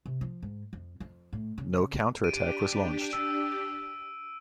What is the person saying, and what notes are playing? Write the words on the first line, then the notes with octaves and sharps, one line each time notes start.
No counter-attack was launched.
C3
F3
G#2
F2
F2
A2
C#3
D4 G4 D7 D#7
E6 D#7